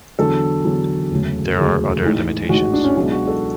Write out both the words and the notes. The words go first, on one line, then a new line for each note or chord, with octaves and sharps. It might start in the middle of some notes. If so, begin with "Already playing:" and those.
There are other limitations.
E2 D3 F#3 A4
E2 D3 F#3
E1 D2 C#3 F#3
E1 D2 C#3 F#3 G#4
A1 G#2 E3
A1 G#2 E3 F#4
D4
C#4
C#2 B2 F#3 D4
F#4
A4